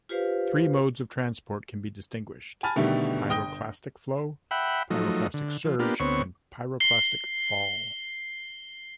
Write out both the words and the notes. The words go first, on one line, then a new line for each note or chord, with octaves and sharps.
Three modes of transport can be distinguished: pyroclastic flow, pyroclastic surge, and pyroclastic fall.
F4 G4 B4 C5 F5
G#5 A5 B5 F6 A6
B2 D3 D#3 G3 A3
G1 G5 D#6 A#6 G7
E5 F#5 G5 B5
F3 F#3 A3 D#4
D3
F3
A#3 B3 D4 F4 G4
D2 B3 C4 C#5 C#6
C7 G7